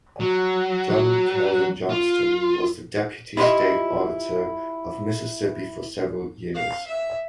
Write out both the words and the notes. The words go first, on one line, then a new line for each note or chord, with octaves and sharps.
John Calvin Johnston was the deputy state auditor of Mississippi for several years.
F#3
F#3
F4
E4 F4 G4 A#4 D#5 E5
F5
E5